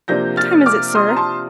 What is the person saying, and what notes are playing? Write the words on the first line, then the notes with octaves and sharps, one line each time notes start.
"What time is it, sir?"
C3 F3 A#3 D4 G6 A#6
F6 A6
D6 F6
C6 D#6
A#5
A5 C6